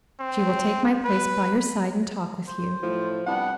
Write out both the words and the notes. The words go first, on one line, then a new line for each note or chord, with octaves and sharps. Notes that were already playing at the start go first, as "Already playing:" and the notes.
"She will take my place by your side and talk with you."
C4
B4
C5
A2 F3
C2 G3 B3 D4 F#5